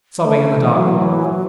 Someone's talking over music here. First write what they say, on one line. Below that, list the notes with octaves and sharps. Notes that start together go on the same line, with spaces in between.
Sobbing in the dark hall.
A3 D4
D4
E3
E3 F#3
E3
F#3